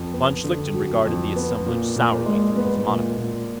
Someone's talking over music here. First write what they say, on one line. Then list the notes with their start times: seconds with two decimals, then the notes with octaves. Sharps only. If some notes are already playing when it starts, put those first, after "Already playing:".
Von Schlichten regarded the assemblage sourly through his monocle.
Already playing: F2
0.13 B3
0.44 D3
0.74 F#3
1.05 F2
1.36 B3
1.66 A#2
1.96 A#2
2.26 G#3
2.57 B3
2.87 A#2
3.17 A#2